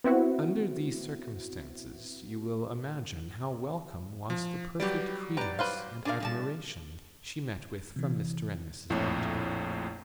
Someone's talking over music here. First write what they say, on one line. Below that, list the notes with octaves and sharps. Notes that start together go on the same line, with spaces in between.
Under these circumstances, you will imagine how welcome was the perfect credence and admiration she met with from Mr. and Mrs. Barton.
B3 C4 E4 F#4
F3
F#3 G3 G4 B4 D5
G4 B4 D5 A#5
B4 C5 F5
D4 G#4 A#4 D5 F5
A2 G3 A5
C3 E3
A#1 F2 A2 E4 C#5